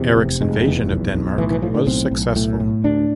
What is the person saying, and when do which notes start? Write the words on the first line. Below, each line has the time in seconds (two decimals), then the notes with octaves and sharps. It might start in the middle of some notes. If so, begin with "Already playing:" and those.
Eric's invasion of Denmark was successful.
Already playing: E2 C3
0.17 F1
0.41 F1 G#3
0.65 E2
0.90 B1
1.14 B1
1.38 A2 E3
1.50 E3
1.62 A2 F3
1.75 D3
1.87 B1 C4
2.11 B1
2.36 A2
2.60 A2
2.84 D2 D4